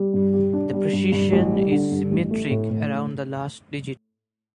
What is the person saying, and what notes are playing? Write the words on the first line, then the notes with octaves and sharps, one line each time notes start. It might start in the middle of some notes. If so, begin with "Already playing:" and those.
The precision is symmetric around the last digit.
Already playing: G3
G2
G4
D4
G3
G2
G2
A1
G3
D3
G2
A1
A3
A2
A2